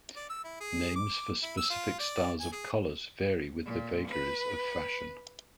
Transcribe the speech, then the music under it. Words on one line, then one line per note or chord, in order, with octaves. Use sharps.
Names for specific styles of collars vary with the vagaries of fashion.
D5
E6
E4
G#4
D6
E4
E6
F4
D5
G#5
G#4
A#2
B4